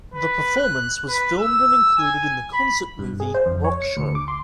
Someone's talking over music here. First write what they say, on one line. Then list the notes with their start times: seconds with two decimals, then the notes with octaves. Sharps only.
The performance was filmed and included in the concert movie Rockshow.
0.14 B4
0.57 F#6
1.09 B4
1.39 E6
1.98 G#5
2.53 B5
2.99 G2
3.20 G#4
3.34 C5
3.46 F2
3.64 C#5
3.82 C#7
3.97 D2
4.15 D6
4.28 C6